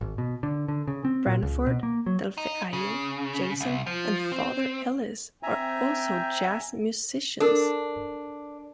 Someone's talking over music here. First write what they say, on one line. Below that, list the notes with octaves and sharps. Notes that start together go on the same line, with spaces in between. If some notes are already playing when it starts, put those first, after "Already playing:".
Branford, Delfeayo, Jason and father Ellis are also jazz musicians.
G#1
B2
D3
D3
C#3
C4
A#2
C#2
B2
A#3
F#3
D#4
C#3
C2
F3
C4
C4 E5 G5 G#5 A#5
D4 A4 A#4